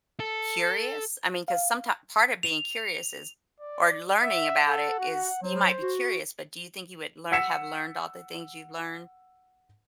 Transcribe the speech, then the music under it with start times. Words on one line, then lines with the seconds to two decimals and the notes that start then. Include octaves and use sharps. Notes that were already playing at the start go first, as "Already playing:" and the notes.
curious? I mean, 'cause someti part of being curious is or learning about it is you might be curious, but do you think you would learn have learned all the things you've learned,
0.20 A4
1.48 F5
2.43 F7
3.60 D5
4.22 E5 F#5
4.67 A4
4.99 F#4
5.43 F#3 C5
5.82 F#4
7.32 F#5 E6 B6 C#7 E7